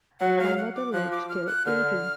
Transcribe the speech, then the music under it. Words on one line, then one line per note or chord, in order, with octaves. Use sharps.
My mother lived till eighty.
F#3 F#5
F5
F#5
D6
F3 F#6
D6
F6
F#6
D3 F6